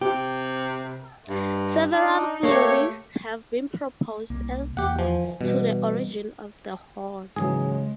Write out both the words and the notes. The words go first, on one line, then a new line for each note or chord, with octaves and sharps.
Several theories have been proposed as to the origin of the hoard.
C3 G4
G2
D4 D#4
A3 A#3 G4 C#5
C2 A#3
E2 A#3 G4 F#5
F3 G#5
B2 E3 G3 D4
G#2 C#3 E3 F#3 G#3 G#4